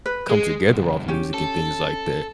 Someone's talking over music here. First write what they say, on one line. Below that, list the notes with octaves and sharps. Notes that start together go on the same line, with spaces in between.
come together off music and things like that,
B4
G#3 G#4
C#2 F#2
C#4 G4
A4